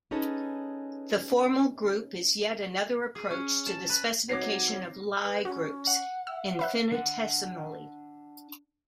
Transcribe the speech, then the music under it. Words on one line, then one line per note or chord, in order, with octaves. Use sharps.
The formal group is yet another approach to the specification of Lie groups, infinitesimally.
C#4 D#4 G#4 A4 B4
G#4
C#4
A5
B4
F#3 C4 D#4 C#5 D6 A#6 C7
B4
C#4 F#4
F#5
E5 E6
B4 C#5 E5 F#6
D4 F#5